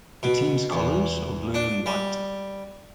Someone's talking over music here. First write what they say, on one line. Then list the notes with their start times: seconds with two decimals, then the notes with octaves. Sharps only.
The team's colours are blue and white.
0.23 B2
0.72 E2
1.54 D4
1.86 G3